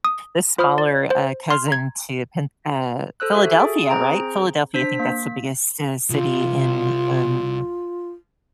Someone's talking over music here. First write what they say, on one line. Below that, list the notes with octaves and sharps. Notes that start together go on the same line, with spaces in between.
the smaller cousin to Phin uh, Philadelphia. Right? Philadelphia, I think that's the biggest city city in, um,
D#6
F4 C5 B5 D#6 F6
D5
C5
C6 F6
A#5 G#6
A4 C5 E6 F#6
F#4 G4 A4 E5
G#4
C4 G#4 C5 A#5 D7
D4 C5 B6
A#3 B6
C2 F4